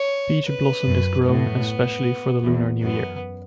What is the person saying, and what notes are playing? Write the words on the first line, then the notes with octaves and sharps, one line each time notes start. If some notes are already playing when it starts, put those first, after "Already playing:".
Peach blossom is grown especially for the Lunar New Year.
Already playing: C#5
B4
F#2
A2 B3
E2
F#2 B3